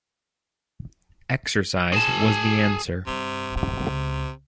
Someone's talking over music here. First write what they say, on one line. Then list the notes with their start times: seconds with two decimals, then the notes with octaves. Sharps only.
"Exercise," was the answer.
1.93 G#4 A5
3.07 G2 C3
3.57 C3
3.86 C#2